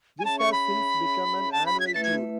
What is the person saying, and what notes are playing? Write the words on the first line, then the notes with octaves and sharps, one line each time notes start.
This has since become an annual tour.
G#5
C#4 G#4 C#5 E5 A5
C#6
B5
A5
B5
G#6
B6
A3 E4 B4 E5 A6
G#6